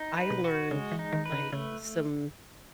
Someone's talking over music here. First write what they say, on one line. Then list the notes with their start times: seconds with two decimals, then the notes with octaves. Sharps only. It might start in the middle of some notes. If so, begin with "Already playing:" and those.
I learned, like, some
Already playing: D#4
0.17 B4
0.30 B2
0.44 F#4
0.71 C#3 G#3
0.91 E3
0.99 D#4
1.13 D#3
1.26 B4
1.32 C#3
1.52 C#3 A3